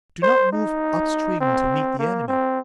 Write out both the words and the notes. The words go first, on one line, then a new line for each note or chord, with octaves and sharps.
Do not move up-stream to meet the enemy.
C5
D#4
C4
A#3
C4